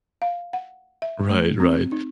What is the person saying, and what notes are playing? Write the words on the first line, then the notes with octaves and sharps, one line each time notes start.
Right, right.
F5
F#5
E5
A3
C4
D#4